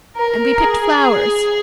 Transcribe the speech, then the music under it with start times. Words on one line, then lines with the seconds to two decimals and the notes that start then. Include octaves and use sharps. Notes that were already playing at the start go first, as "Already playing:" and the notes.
And we picked flowers.
0.17 A#4
0.61 G#4